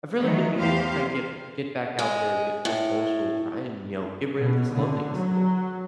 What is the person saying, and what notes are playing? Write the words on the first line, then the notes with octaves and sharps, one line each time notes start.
I've really been meaning to try and get get back out there, get more social, try and, you know, get rid of this loneliness a little bit.
D#3 E3 F#3 A3
E2 E3 G4 C5 F5
G#3
A2
B2
D3
F#3